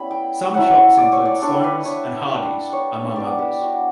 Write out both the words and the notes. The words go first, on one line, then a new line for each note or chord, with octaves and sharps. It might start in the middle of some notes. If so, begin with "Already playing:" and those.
Some shops include Sloan's and Hardees, among others.
Already playing: G3 B3 C#4 E4 B5
G5
F#3 C#4 E4 F#5
D5
C#5
D5
G3 D4 C#5
B4
C#5
G3 D4
C#5
G3 B3 D4 D5
G4
F#4